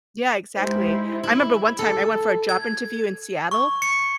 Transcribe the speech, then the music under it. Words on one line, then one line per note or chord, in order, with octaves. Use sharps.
Yeah, exactly. I remember one time I went for a job interview in Seattle,
G#3 D#4 E4 G4 C5
E4
A4
G#6
C#6
C#7